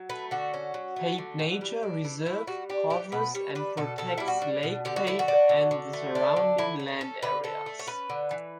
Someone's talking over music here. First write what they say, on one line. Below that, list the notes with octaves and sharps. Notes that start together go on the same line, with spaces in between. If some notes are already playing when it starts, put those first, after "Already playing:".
Pape Nature Reserve covers and protects Lake Pape and the surrounding land areas.
Already playing: F#3
A3 B4
D3 F#4
C#4
F#3
A3
D3
E3
G3
D4
E3
E3 E4
G3 F#4
D4 G4
E3 G4
B2 B4
G3 C#5
D4 B4
B2 A4
B2 A4
G3 E4
F#4
D4
B2
D3 G4
F#4
A3 E4
F#4
D4
D3
D3
A3
D4
D3
D3 E4
A3
C#4 A4
D3 B4
D3 A4
A3
C#5
C#4 B4
D3
E3